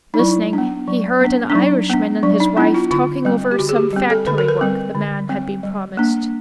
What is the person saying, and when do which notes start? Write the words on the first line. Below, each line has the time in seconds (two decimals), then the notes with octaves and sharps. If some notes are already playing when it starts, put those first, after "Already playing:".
Listening, he heard an Irishman and his wife talking over some factory work the man had been promised.
0.14 D#4
0.19 F#3 E4
0.53 B3 D4
0.87 F#3
1.21 B3 D4
1.50 D4
1.55 F#3 D#4
1.90 B3 D4
2.23 F#3 D4
2.40 D#4
2.57 B3 D4 E4
2.74 F4
2.91 D3 F4
3.25 G3 C4
3.51 G4
3.59 D3 F#4
3.69 G#4
3.76 G4
3.93 G3 C4
4.10 A4
4.27 D3 B4
4.38 A#4
4.48 B4
4.61 G3 C4
4.95 D3
5.29 G3 C4
5.63 G3
5.97 A#3 D4